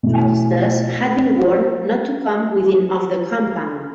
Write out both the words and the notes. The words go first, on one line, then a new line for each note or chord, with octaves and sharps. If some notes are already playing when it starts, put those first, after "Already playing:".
Protesters had been warned not to come within of the compound.
B2 A3 E4